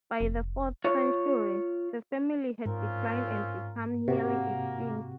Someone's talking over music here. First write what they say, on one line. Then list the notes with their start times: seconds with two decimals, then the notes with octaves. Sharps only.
By the fourth century, the family had declined and become nearly extinct.
0.20 F1
0.84 F4 C#5
2.66 G#2 C4 C#4 F4 A#4
4.08 C3 A#3 F#4 G5